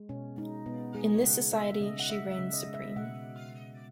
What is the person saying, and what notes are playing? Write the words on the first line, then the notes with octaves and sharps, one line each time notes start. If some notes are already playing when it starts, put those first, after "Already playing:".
In this society, she reigns supreme.
Already playing: G#3
B2 C#4
G#3 D#4
B2 B3
G#3 G#4
C#3 F#5
G#3 E5
C#3 D#5
F#5
G#3 E5
E5
C#3
D#5
G#3
E5
B2 F#5